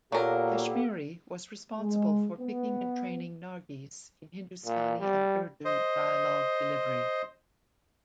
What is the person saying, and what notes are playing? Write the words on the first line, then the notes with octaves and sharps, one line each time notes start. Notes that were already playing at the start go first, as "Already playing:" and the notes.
Kashmiri was responsible for picking and training Nargis in Hindustani and Urdu dialogue delivery.
A#2 F#3 A#3 B3 G4 A4 A#4
G#3
B3
A#2
G3
C5 D#5